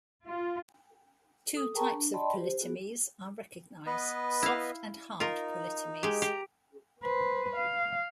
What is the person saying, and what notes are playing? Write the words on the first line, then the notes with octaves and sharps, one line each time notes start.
Two types of polytomies are recognised, soft and hard polytomies.
F4
A4 D#6
G#4 A#4 G5 A5 A#5 C#6
D4
D5 D#5 G5 A5 B5 C6
G4 C5
B3 F#4 G#4
B3 B4 D#5
E4 F5
D#4 F4 A#4
G#3 G4
G4 A#5
B4 C5
F5